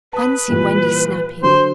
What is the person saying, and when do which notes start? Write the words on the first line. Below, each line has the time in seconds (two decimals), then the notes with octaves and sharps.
Fancy Wendy snapping.
0.13 B4 A5 D#6
0.48 A#2 E3 G3
1.42 D3 F#3 C5